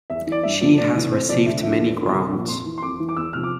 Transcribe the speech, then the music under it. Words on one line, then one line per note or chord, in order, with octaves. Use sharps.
She has received many grants.
E2 E5
E3 D5
G2 E5
D3 F3 D5
D2 D5
C3 E3
F2 C5
C3 F3 D5
D2 E5
D3 F3 E5
E2
D3 F3
C2
A#2 F3
F2 C6
E3
C6
F2 D6
E3
D6
E2 E6
C3 F3 F6
D6